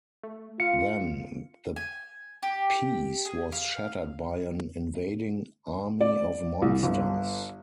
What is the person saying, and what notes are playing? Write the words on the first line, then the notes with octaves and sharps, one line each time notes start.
Then, the peace was shattered by an invading army of monsters.
A3
F4 F5 C#7
G#5
G4
G#4
F5
D5
C2
G1